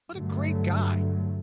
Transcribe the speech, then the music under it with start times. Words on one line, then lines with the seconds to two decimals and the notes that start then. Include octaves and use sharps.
What a great guy.
0.11 G2 D3 F#3 A3